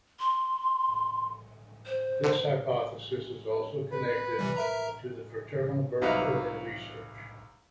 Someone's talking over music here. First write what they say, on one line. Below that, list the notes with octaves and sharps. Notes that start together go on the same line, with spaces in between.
This hypothesis is also connected to the fraternal birth order research.
C6
C5
B4
C3 E3 G3
A#4 E5 A#5
C2 F#3 D#4 B4 E5 F5